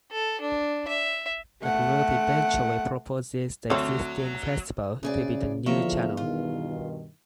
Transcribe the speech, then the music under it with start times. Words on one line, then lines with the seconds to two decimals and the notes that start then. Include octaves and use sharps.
The group eventually proposes the existing "Festival" to be the "new" channel.
0.12 A4
0.41 D4
0.88 E5
1.63 A3 F#5
3.70 D2 F#3 C4 C#5
5.03 D2 C#3 G#4 D5
5.66 E2 D3 F3 A#3 C#5 E5
6.17 G2 B2 D#3 F4